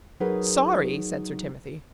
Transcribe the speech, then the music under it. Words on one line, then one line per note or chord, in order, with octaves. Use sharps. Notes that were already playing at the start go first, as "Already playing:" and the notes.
"Sorry!" said Sir Timothy.
F#3 D#4 G#4 A#4 B4